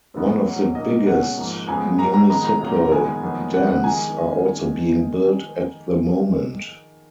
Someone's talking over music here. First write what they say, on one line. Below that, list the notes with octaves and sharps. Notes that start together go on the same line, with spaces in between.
One of the biggest municipal dams are also being built at the moment.
F#2 F3 B3 D#4
G#2 F#3 C#4
B2 A#3 D#4 D#5
B2 G#3 C#4 F#5
G#2 F3 A#3
F2 C#3 G#3 B3 G#5
G#2 F#3 C#4 A#5
A#5
F2 D#3 G#3 B3 D#4 A#5
A#5
A#2 F#3 A#3 C#4
F#2 D#3 G#3 B3 G#5
F2 D#3 F#3 B3
F2 F3 B3 F#5
F#5
D#3 G#3 D#4 G#5